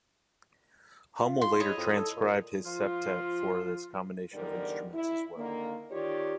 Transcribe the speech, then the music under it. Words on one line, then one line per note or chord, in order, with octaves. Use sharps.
Hummel later transcribed his septet for this combination of instruments as well.
F4
C6
G#3 E4 C#5 D#5
F2
A4
A#2
F3 F4
E2 G#2 D3 G3 A#4
E4
D3 D#3 A#3
D#3 F4 G4 C#5 D5